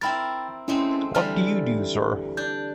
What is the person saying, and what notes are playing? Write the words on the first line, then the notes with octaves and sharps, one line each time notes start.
What do you do, sir?
C4 E4 A#4 G5 B5 A6
G#3 A3 C4 C#4 E4
D3 E3 G3 F6
D4 G6